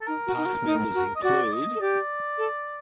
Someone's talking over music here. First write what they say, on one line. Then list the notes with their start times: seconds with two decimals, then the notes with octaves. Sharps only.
Past members include...
0.02 A4
0.07 D#4 A#4
0.27 F#4
0.37 D#4
0.46 F#4
0.65 D#4
0.94 F#4
1.15 D#5
1.22 F#4 D5
1.52 D#5
1.75 A4
1.81 G4 D5
2.38 A4